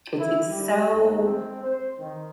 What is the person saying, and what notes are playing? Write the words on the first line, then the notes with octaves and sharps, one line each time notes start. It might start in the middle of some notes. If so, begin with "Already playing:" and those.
it's it's, so
E4
G3
D#2
C4
C5
D#3